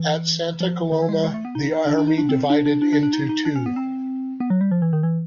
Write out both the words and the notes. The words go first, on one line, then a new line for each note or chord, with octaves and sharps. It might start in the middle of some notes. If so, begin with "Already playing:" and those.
At Santa Coloma, the army divided into two.
Already playing: E3
F3
D#3
E3
G#3
G3
G#3
A3
B3
D#4
D4
D4
D#4
D4
C4
D4
D4
D4
D4
D4
D#4
D#4
D4
C#4
B3
C4
B3
F#3
G3
F3
E3
D#3
E3